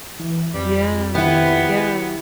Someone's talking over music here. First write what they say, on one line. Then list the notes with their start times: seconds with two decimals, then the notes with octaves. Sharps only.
Yeah. Yeah.
0.19 E3
0.54 F2 G3
1.15 D#3 B3 E4 G4